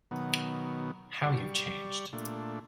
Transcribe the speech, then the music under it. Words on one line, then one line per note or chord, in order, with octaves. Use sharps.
How you've changed!
B2 D#3 F#3 B3
G3 D5 C#6
A#2 A3 D4